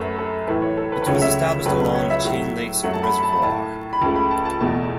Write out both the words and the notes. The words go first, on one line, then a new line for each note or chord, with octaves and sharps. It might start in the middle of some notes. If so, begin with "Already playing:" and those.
It was established along the Chain Lakes Reservoir.
Already playing: F#2 F#3 A3 B4
A4
A2 E3 A3 B4
C#5
A4
B4
B4
C#2 C#3 F#3 A3 C#5
E5
C#2 C#3 F#3 A3 B4
B4
C#5
E5
A2 F#3 A3
F#2 F#3 A3 F#5
A5
B5
B5
A5
B5
A2 A3 A5
B5
C#2 C#3 A3 A5
B5
A5
A5
E2 B2 A3 A5